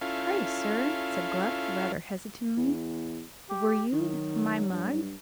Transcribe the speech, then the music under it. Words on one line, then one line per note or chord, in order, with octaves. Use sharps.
"Pray, sir," said Gluck, rather hesitatingly, "were you my mug?"
C#4 E4 F4 A4 F5
E2
G4
D#3 F#3
G2